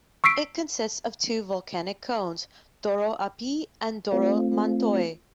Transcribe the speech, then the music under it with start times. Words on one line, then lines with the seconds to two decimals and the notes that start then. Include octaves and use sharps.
It consists of two volcanic cones, Doro Api and Doro Mantoi.
0.24 C#6 E6 B6 C7 D7
4.12 A3 C4 F4